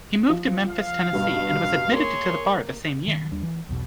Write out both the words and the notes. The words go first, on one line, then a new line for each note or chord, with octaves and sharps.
He moved to Memphis, Tennessee, and was admitted to the bar the same year.
F3 F4
F5
G2 B2 G3
A#3 G#4 C#5 C6
D#3
D#2 G3 D4
E3
B1 E2 B2